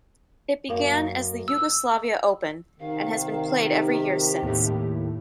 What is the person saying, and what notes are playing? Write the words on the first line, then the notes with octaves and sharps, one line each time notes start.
It began as the Yugoslavia Open and has been played every year since.
F#2 A#3
E6
C3 D#3 F5
G4
D#2 A2